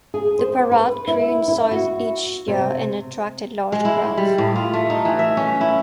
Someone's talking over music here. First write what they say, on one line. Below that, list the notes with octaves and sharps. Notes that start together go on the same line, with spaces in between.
The Parade grew in size each year and attracted large crowds.
G#4
C5
B4
E4
E4
F#4
C3
G#3
E4
G3
A2
F4
A3
D#4
E3
E5
C#4
E4